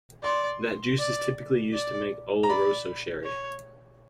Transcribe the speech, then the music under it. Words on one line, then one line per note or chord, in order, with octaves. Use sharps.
That juice is typically used to make oloroso sherry.
D5 C6
D5
D5
A#5
D5 B5
C#5